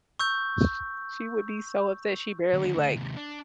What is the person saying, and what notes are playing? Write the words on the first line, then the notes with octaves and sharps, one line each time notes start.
sh she would be so upset. She barely, like,
C#6 E6 G6
D#2 D3
D2
D#2 C3
D4